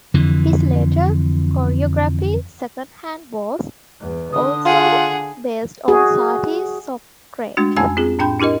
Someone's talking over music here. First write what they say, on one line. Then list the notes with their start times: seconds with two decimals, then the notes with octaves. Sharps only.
His later choreography "Second Hand" was also based on Satie's "Socrate".
0.14 F2 D3 E3
4.01 E2
4.32 D3 D#6
4.65 F4 G#4 F#5
5.88 F#4 G#4
7.57 G#3 A3 D4 F#4
7.76 F2 C#4 G#5 A5 E6
7.97 C4 F4 G#4
8.19 A2 D4 G5 B5 G6
8.39 D4 E4 G4 A#4 D#5